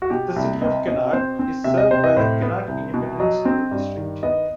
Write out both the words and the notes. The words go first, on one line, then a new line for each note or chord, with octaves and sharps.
The City of Kennard is served by the Kennard Independent School District.
F#4
B2 G4
C2
C4 D#5
B2 D#5
C4 C5
C4
C3 E5
D#5
C3 C5
D#5
A2 C5
B3
C2
B2
F#3 D#5
C4
G2
D#3
B3 D#5